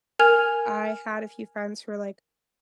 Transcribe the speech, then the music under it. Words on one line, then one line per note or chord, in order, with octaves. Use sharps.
I had a few friends who were like,
A#4 G#5 F6 G#6 F7